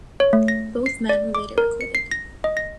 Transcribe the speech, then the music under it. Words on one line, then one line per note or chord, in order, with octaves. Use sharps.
Both men were later acquitted.
C#5
A3
A#6
C7
D5
D6
A#4
C#7
C7
A#6
D#5
A#6